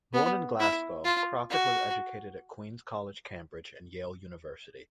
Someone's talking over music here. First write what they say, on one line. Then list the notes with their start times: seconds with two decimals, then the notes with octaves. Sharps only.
Born in Glasgow, Crockett was educated at Queens' College, Cambridge and Yale University.
0.14 B3
0.60 E4
1.05 F4
1.50 F#4